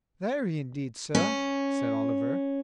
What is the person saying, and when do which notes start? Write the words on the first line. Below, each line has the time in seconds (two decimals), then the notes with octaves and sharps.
'Very indeed, sir,' said Oliver.
1.15 C#4